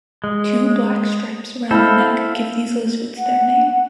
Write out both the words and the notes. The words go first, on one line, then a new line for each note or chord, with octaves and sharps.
Two black stripes around the neck give these lizards their name.
G#3
C4 E4 A4 F5
F#5